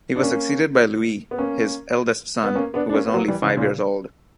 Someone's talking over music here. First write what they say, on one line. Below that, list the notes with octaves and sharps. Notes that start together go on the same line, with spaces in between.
He was succeeded by Louis, his eldest son, who was only five years old.
D4
A#3 C#4
B3
A#3 C#4
B3
A#3 C#4
B3 D4
D4
A#3 C#4
B3
F#3 A#3
E3 G3
C#3 E3
A#2 C#3